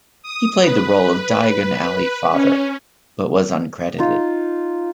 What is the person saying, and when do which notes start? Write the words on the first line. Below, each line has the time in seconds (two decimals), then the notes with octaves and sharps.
He played the role of Diagon Alley Father, but was uncredited.
0.23 D#6
0.60 B4
2.31 C#4
3.98 D#4 F4